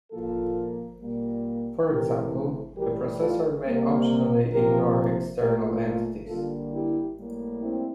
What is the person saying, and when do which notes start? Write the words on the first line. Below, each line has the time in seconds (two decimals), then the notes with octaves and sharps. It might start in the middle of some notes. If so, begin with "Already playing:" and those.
For example, a processor may optionally ignore external entities.
0.12 A#2 F3 A#3 F4 A4
1.01 A#2 G3 A#3
1.88 C3 E3 A3 G4 A#4
2.76 A2 E3 G3 G4 A#4
3.20 F4 A4
3.64 C3 G3 A#3
4.51 C3 F3 A#3 G4 A#4
5.39 A#2 A3 G4 A#4
5.83 F4 A4
6.27 D3 G3 A#3 F4 A4
6.71 E4 G4
7.15 A2 G3 A#3
7.59 C4 E4